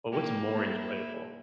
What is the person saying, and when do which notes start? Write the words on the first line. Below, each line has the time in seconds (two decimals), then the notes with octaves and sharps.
but what's more enjoyable?
0.12 A#3 G4
0.47 E4